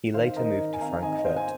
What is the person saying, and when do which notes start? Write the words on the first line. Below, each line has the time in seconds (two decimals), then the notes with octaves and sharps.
He later moved to Frankfurt.
0.14 D#3 C5 F5
0.36 D#4 A#4 D#5
0.59 D#3
0.73 G#5
0.80 C4 F5 A#5
1.02 D#3 D#5 G#5
1.17 D#5
1.24 D#4 C5 F5
1.37 G#5